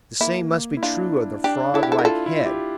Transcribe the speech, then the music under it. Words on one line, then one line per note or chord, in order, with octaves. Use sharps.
The same must be true of the froglike head.
A#3 E4
A#3
E4
D4 F4
D4 G4
E4 A4
G4
A4
A#4
F4 A4
E4
G4